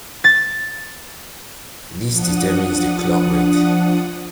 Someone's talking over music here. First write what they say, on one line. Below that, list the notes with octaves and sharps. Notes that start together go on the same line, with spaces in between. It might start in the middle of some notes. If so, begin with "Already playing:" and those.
This determines the clock rate.
A6
F3 D4 F#5 D#6